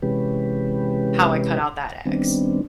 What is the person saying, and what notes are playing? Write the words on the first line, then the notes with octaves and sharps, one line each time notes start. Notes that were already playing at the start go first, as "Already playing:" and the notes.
how I cut out that ex.
C3 E3 G#3 C#4 G4 B4
D#3 G3 B3 C4 D4